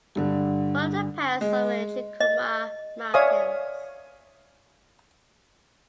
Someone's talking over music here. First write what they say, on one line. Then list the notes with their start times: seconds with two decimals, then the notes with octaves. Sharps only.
One of the pass over the Chikuma mountains.
0.16 G2 D3
1.41 G#3
2.21 D#5
3.14 C#5 D5 E5 F5 G#5 D#6